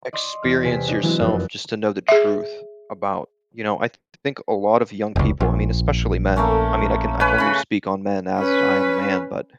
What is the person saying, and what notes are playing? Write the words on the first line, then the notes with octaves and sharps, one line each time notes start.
experience yourself just to know the truth about you know, I th think a lot of young people I mean, especially men, I mean, I can I can only speak on men, as I am a man, but
D5 D#5 C6 C#6
E2 D6 F6
C3 B3 G4 G#4 B6 D7
D4 D#4 A4 D5 D#5
E3 F#3 G#3 B3 E4 F#4
F1 F#2 D4 F#6
G#4 E5
F1 C#2
A#1
A3 A#3 C#4
C#4 B4
C#3 B5
C#4 B4